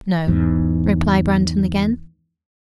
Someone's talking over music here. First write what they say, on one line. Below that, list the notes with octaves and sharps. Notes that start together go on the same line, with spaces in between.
"No," replied Brandon again.
E2 G#2